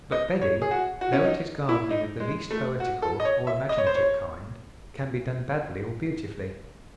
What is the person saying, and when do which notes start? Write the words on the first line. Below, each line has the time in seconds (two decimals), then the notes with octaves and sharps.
But bedding, though it is gardening of the least poetical or imaginative kind, can be done badly or beautifully.
0.12 D#5
0.41 C#5
0.62 G#4
0.71 F#4
1.01 F#4
1.13 C#4
1.24 D#4
1.69 E4
1.91 D#4
2.20 G#3
2.51 A3
2.80 F#4
3.02 A4
3.20 D#5
3.25 C#5
3.47 E5
3.69 D#5
3.78 C#5
3.87 C5
3.95 C#5